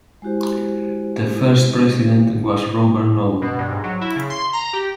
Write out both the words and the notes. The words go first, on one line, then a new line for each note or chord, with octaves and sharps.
The first President was Robert Noble.
G#3 E4 F#4 G4 C5
B2
G2
G#2
F#3
E4
C#3
C6
A#5
G4